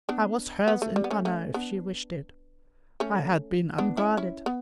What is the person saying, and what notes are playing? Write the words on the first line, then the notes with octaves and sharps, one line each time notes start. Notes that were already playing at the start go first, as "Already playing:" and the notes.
I was hers in honour if she wished it. I had been unguarded.
B3 D4
B3
A3
G3
B3
A3 C#4
A3 C#4
B3 D4
A3 C#4
B3 D4
C#4 E4
C#4 E4
B3